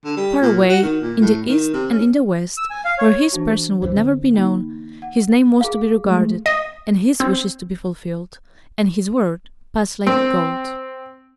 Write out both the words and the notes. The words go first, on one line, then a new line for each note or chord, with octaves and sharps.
Far away, in the East and in the West, where his person would never be known, his name was to be regarded, and his wishes to be fulfilled, and his word pass like gold.
D3
G3
A#2
F#4
D#3
A#2
A2
D#3
C3
C#4
E6
G#5
F5
C#5
E3 D4 F#4
C2 F#2 E3 C5
D3 C4
A#3 D#4
F#5
G#4 F5
G#3 A3
D#5
C4
C4